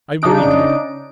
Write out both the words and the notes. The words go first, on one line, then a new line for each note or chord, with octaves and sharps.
"I believe you."
C#3 D4 D#4 D7